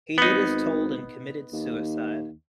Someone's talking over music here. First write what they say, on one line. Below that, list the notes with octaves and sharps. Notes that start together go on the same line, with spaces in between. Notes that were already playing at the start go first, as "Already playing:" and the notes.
He did as told and committed suicide.
G#1 B3 D#4
D#2